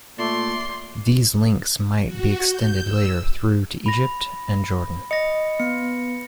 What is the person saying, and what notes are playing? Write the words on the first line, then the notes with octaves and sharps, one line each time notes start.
These links might be extended later through to Egypt and Jordan.
A#2 A3 D5 C6
F#4
G6
E6
B5 A#6
D#5 A#6 C#7
B3 C#7